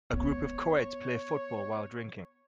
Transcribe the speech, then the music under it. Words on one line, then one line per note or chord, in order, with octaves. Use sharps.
A group of coeds play football while drinking.
B3 C#5